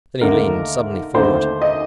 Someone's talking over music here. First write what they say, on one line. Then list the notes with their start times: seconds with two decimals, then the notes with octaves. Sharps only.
Then he leaned suddenly forward.
0.21 D#2 D3 A3 A#4
1.14 D#2 D3 A3 C5
1.62 D#5